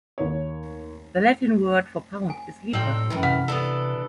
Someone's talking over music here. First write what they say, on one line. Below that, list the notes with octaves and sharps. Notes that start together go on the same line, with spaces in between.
The Latin word for "pound" is libra.
D#2 C#5
G#5
A2 G3 C4 D#4 A4 G5
F#2 A2 E3
C3 F#5 F6
E3 B3 D4 A4